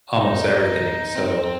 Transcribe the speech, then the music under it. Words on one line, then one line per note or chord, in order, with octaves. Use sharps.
almost everything, so,
D#4
C4